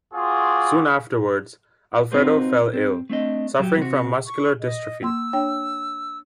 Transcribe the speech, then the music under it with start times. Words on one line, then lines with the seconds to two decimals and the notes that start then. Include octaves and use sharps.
Soon afterwards, Alfredo fell ill, suffering from muscular dystrophy.
0.14 C4 F4 F#4 G#4 D6
2.12 C4 D#4 F4 F#4 B4 C5
2.73 C4
3.10 A3 C4 D4 D#5
3.59 F#3 G4
3.77 C3 F#4
4.27 C#6
4.61 D#5
5.03 A#3 C6 E6
5.33 D4 C#5 G5